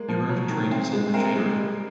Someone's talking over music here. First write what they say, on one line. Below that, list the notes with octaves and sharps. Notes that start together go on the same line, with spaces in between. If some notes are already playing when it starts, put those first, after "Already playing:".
He wrote a treatise on machinery.
Already playing: G#3 A#3
F3
F#3
D#3
C4
G#3
A#3 C4 A#4
G#3
G3